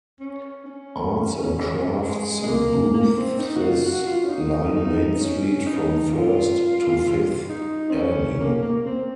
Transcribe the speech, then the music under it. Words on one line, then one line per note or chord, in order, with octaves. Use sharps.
Arts and crafts booths line Main Street from First to Fifth Avenue.
C#4
C#4
G#3
G#3
A#3
A#3
C4
D#4
F#4
F4
F#4
F4
C#4
D#4
D#4
D#4
C#4
D#4
F4
D#4
C4
C#4
A#3
A#3
A#3
C4